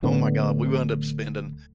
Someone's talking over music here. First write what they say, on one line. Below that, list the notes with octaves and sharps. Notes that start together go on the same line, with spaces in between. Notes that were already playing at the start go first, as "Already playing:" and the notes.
Oh my god. We wound up spending
D1 A2 D3 B3